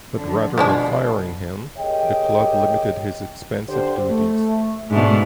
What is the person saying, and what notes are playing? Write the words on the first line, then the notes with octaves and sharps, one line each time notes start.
But rather than firing him, the club limited his expansive duties.
D3 F3
B2 F3 G#3 D4
G4 G#4 A#4 C#5 D#5 G5
D3 G4 C5
A3
G#2 B2 A3 D4